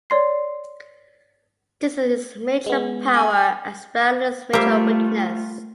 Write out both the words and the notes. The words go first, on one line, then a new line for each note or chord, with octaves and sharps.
This is its major power as well as its major weakness.
C#5 D5 C6 C7
G#3 B3
G#5
G3 A3 A#3 F4 G4 C5 E5